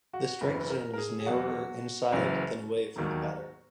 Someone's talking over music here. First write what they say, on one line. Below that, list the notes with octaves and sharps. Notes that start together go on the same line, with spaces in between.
The strike zone is narrower "inside" than away from the batter.
F#4
F#1 F#2 E3 B4
A#4
A#4
G#4
G#4
E2 B2 F#3 F#4
F#1 F#2 E3
E1 D#2 D#3 F#3